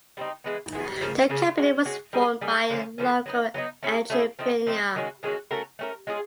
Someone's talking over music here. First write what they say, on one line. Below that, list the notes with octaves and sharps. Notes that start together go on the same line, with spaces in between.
The company was formed by a local entrepreneur.
G3 C4 D#4
E3 G#3 B3
E3 G#3 B3
C#3 F3 A#3 C#4
C#3 F3 A#3 C#4
G#3 C#4 F#4
G#3 C#4 F#4
G3 A#3 D#4 G#4
G3 A#3 D#4 G#4
D3 F3 A#3 C#4
D3 F3 A#3 C#4
F#3 B3 D#4
F#3 B3 D#4
A3 C#4 E4 G#4
A3 C#4 E4 G#4
F3 A3 C4 D#4
F3 A3 C4 D#4
D#3 G#3 C#4 F#4
D#3 G#3 C#4 F#4
A3 C#4 F#4 A#4
A3 C#4 F#4 A#4
G#3 C#4 F4 G#4